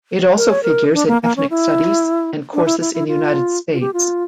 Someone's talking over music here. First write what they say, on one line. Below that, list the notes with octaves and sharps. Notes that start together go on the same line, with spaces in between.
It also figures in Ethnic Studies and courses in the United States.
A#4
C#5
A#4
D4
A#3
A#3
C#4
E4
D4
E4
E4
E4
F4
F4
G4
F4